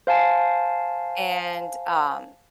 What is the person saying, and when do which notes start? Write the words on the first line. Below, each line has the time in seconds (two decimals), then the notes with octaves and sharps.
and, um,
0.07 C5 F5 G#5 A5